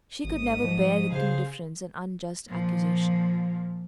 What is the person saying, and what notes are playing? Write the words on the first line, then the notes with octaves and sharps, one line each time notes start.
"She could never bear with indifference an unjust accusation."
A1 G#2 D#6
F3
C#3 G#4 C5 F5
A#2 F3